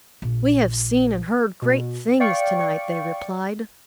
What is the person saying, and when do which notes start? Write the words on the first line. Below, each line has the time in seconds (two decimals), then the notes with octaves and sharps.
"We have seen and heard great things to-night," they replied.
0.22 A#1
1.62 B2
2.20 D5 F5 G5 C#6 C#7